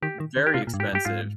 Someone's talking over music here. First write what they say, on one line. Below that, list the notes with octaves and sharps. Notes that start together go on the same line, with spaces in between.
very expensive,
D#3 G4
D#3
D3
G4
C3 F4
A#2
G2
G#2 G4
G2 G4
G#2 F4